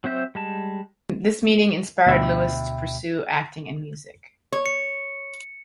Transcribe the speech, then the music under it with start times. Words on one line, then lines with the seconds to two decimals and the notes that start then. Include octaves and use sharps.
This meeting inspired Lewis to pursue acting and music.
0.04 F#3 C4 C5 E5 G6
0.35 G3 G#3 A5
2.06 D2 B2 E5 G5 B5
4.52 C#5
4.66 C#7